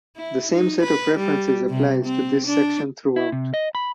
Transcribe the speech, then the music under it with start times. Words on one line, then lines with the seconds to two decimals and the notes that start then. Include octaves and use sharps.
The same set of references applies to this section throughout.
0.17 E4
0.52 D#4
0.83 B4
1.18 G3
1.69 C3
2.05 C4
2.47 D4
3.16 E4
3.32 C3
3.54 D#5
3.75 B5